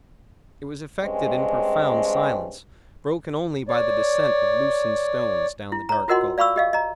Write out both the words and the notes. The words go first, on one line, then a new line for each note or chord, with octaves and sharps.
It was effected in profound silence, broken only by the descent of loosened stones down the dark gulf.
G2 G#3 C4 C#4
C#5 D5
E4
C#5 A#5
F4 F#4 A#4 D#5 F#5 C6
D5 F5 B5 C#6 E6
G4 D#5 F5
D#5 A#5